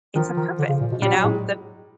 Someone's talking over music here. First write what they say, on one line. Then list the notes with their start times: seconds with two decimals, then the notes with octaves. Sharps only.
"It's a purpose," you know? The
0.15 D#3 F3
0.37 D#3
0.59 D3
0.69 C#3
0.81 A#2
0.92 B2
1.02 A#2 G3
1.13 F#3
1.24 A2 G#3